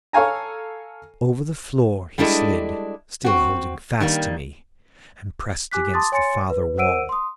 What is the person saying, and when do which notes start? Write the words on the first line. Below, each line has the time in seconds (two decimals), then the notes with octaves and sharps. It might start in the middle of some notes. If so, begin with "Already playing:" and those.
Over the floor he slid, still holding fast to me, and pressed against the farther wall.
0.13 A4 C#5 F5 G#5 A#5
2.18 G3 G#3 D4 E4 A4 D#5
3.25 C4 F#4
4.00 D#3 G3 A#3
5.71 G4 G#5 D6 F#6 B6
5.94 A5 C6 D6 D#6 A6
6.12 C#5 G#5 C6 A6 C#7
6.50 B4
6.77 A#4 C5 F#5 E6 D7 D#7
7.09 C6 D#6